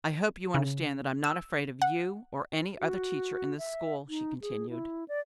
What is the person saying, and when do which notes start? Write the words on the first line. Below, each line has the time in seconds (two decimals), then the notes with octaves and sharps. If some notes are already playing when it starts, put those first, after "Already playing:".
"I hope you understand that I am not afraid of you or any other teacher in this school," she continued.
0.54 C#3
1.24 E6
1.82 F#5
2.80 F#4
3.58 E5
4.09 D#4
4.41 G#4
4.70 E4
5.08 D5